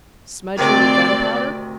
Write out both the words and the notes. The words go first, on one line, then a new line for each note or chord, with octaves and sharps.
Smudgy with gunpowder?
D2 C3 D#3 C4 D5